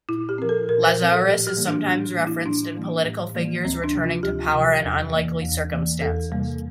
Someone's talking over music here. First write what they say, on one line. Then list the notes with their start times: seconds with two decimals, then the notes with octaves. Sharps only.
Lazarus is sometimes referenced in political figures returning to power in unlikely circumstances.
0.09 A#2 E4
0.29 G4
0.38 F3 C4 A#4
0.49 A4
0.69 A#2 A#4
0.83 C5
0.98 F3 C4
1.12 A4
1.28 A2 G4
1.47 G4
1.57 E3 G3 A#3
1.67 D4
1.87 A2 D4
2.16 E3 G3 A#3
2.27 E4
2.45 A2 D4
2.76 E3 G3 A#3
3.05 A2
3.35 E3 G3 A#3
3.65 D2 C4
3.84 D4
3.93 C3 F3
4.04 F4
4.23 D2 G4
4.53 C3 F3
4.83 E2
5.12 E3 A#3
5.42 E2
5.71 E3 A#3
6.01 E2 A4
6.31 C3 G3 A#3